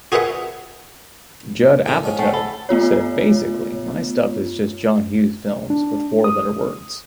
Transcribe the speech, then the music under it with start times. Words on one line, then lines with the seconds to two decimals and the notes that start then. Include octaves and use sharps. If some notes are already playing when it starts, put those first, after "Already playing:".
Judd Apatow said Basically, my stuff is just John Hughes films with four-letter words.
0.12 F#4 G#4 A#4 B4 E5 F#5
1.86 A2 D#3
2.04 G#2 C#4 D#4 C5 G#5
2.19 A3 C#5 F#5 G#5
2.34 A4 B5
2.69 A3 B3 F4 C#5
5.70 D4
6.24 D#6